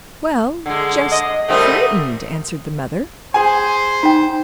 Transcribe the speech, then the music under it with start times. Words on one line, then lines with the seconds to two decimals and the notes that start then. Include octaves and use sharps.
'Well--just frightened,' answered the mother.
0.66 D3 G#3
1.12 D#5
1.49 D3 G3 A3 C4 A#4 D#6
3.34 G#4 C5 G#5
4.03 D#4 G5